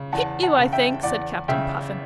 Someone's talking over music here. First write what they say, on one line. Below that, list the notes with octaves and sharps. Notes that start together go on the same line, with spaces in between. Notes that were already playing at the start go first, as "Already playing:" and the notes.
"Hit you, I think," said Captain Puffin.
Already playing: C#3
E2 F#5 A5
F#5 A5
C#3
E5 G5
E2 D5 F#5
C#3 E5 G5